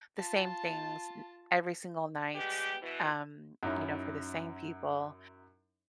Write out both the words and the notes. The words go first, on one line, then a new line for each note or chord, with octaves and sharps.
the same things n every single night, um, you know, for the same people,
F4 A5
G3 G#3 B3 G4
B2 E3
F#2 C#4 D#4 E4